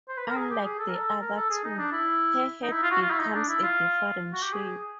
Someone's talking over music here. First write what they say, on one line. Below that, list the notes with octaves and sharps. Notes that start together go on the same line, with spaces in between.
Unlike the other two, her hat becomes a different shape.
C5
B4
A#4
G#4
G4
G#4
A4
A#4
A4
A#4
A4
G#4
D#4
D4
E4
D#4
E4
F4
F#4
F4
E4
D#4
D4
E4
F4
F#4
G4
G#4